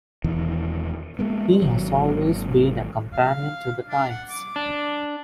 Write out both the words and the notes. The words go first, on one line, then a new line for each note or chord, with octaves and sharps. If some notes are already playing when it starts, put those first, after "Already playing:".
He has always been a companion to the times.
E1 E2 D#3 E3
G#3 A#3 B3
G#1 D#3 F#3
F5
D4
F#5
D6
D4